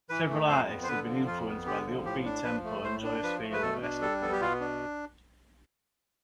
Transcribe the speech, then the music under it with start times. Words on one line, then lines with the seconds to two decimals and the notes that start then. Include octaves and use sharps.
Several artists have been influenced by the upbeat tempo and joyous feel of "Escapade".
0.09 E3 B4
0.29 A3
0.49 F2 C5
0.68 B3
0.83 C5
0.88 D3 B4
1.08 F3
1.27 F2 F4
1.47 B3
1.66 D3 G4
1.86 F3
2.05 A2 G4
2.25 D4
2.45 F3 B4
2.64 A3
2.84 A2 C5
3.03 D4
3.23 F3 B4
3.43 A3
3.53 B4
3.62 B2 A4
3.82 D4
4.02 G3 A4
4.21 B3 A4
4.32 G4
4.41 B2 F4
4.60 D4